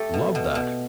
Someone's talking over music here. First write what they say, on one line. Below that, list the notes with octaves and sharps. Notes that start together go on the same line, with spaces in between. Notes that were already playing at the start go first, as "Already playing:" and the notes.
Love that.
Already playing: A3 G4 A4
B2
B2
B2